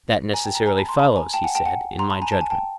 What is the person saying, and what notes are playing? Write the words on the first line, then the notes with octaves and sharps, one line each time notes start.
That necessarily follows, he said, in my judgment.
G#5 A#5
G5 A5
G#5 A#5
G#5 A#5
A5 B5
A#5 C6
A5 B5
G#5 A#5
G5 A5
F#5 G#5
G5 A5
F#5 G#5
A#5 C6
A5 B5
G#5 A#5
A5
G#5
G5 A5